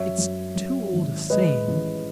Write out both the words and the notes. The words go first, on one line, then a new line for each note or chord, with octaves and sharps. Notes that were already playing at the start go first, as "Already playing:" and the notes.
It's too old a saying.
Already playing: F#2 C#5 E5
F#2
F#2
G#1
G#3 B4 D#5
A1